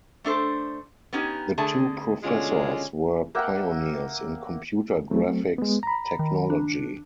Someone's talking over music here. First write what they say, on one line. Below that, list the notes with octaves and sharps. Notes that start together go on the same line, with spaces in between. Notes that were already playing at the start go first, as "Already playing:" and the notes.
The two professors were pioneers in computer graphics technology.
A3 D4 A4 C5
B3 C#4 D#4 G4
D3 A3 G#4 D5 A5
B2 D3 G#3 C#4 F4
A#3 E5 F#5 G5
F#3 A3 C4
G#3 B3
A#5 B5
D#3
D4